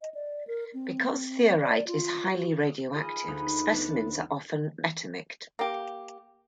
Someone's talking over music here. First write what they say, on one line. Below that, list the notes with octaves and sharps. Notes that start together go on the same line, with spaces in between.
Because thorite is highly radioactive, specimens are often "metamict".
D#5
D5
A#4
C4
D5
F4
F#4
F4 G#4 D#5 B5 D#6
D2 D#4 B5 D#6
B3 D4 A6
A#3 G4